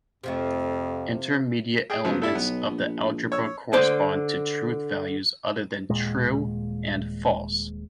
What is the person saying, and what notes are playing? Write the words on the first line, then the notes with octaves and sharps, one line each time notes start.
Intermediate elements of the algebra correspond to truth values other than "true" and "false".
F2 C3 F3 A3
G#4 G5 D#6
C#3 F3 F#3 B3
A2 G3 E4 A4
B1 B3
A#1
C#5 E6
D3 C5 D5
D#1 A#2 G#3